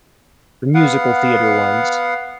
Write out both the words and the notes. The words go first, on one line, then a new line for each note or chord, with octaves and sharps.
The musical theater ones.
B3 F5 F#5